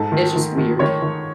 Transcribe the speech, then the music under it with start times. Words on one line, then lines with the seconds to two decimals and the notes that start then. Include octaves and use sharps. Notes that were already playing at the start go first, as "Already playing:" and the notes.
It's just weird.
Already playing: G#2 A4 A5
0.12 D#3
0.36 D#3
0.57 D#3
0.79 D#3 C#5 C#6
1.02 D#3